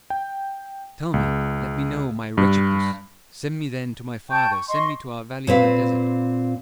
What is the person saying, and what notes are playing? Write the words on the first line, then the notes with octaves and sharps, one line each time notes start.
Tell me--let me know my wretchedness; send me then to my father, send me to our valley in the desert.
G5
C#2
G2
G5 A5 C#6 G6
C#6
D#5 C6 C#6
A#2 C4 B4 F5